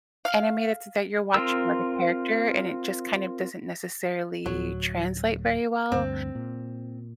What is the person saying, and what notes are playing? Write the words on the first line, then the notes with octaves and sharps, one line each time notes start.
anime that's that you're watching, like a character, and it just kind of doesn't necessarily translate very well.
F5
C4 F4 A#4 E6
D1 F#3
D2 G2 C4
A#2